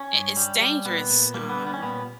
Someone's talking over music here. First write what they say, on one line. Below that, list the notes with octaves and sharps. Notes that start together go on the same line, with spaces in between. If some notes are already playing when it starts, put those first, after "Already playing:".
I it's dangerous um,
Already playing: C#4
G2
G3
G3
A#2 B3
A#2
G3 A#3
B3
G3
B3
C#4
A#2 B3